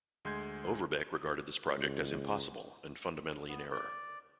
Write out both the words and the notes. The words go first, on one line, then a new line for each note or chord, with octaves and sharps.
Overbeck regarded this project as impossible and fundamentally in error.
D2 G#3 C6 G6 G#6 C7
C#2
B3
D5